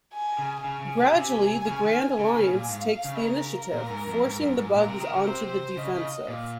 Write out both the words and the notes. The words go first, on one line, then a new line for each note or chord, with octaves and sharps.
Gradually, the Grand Alliance takes the initiative, forcing the Bugs onto the defensive.
G#5
C#3
C#3 G#5
C#3
C3
C3
C#3
D#3
C#3
C#3
A#2
G#2 F5
C#3
A#4
A#2
G#2
F2
G#2
F#2
G#2
A#2 A#4
C3
D#3
C#3
C3 C5
C#3 D#5
C#3
A#2